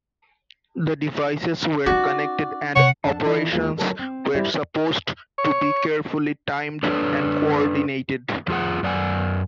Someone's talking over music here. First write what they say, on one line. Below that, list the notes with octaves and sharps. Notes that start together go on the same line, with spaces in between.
The devices were connected and operations were supposed to be carefully timed and coordinated.
C#4 D#4 F#4 D5
C3 C#5 F#5
F2 D4 A4 F#5 A5
E3 E4 F4 A4 D5 D#5
D#2 G#3 A#3 F4 F5
F#3 A4 A#4 C#5 A5
C4
G3 E4 G4 C5 D5 E5
C#5
D4 A4 B4 C#5 D5
F2 F4 G#4 F#5
F#2 D5 F#5 G#5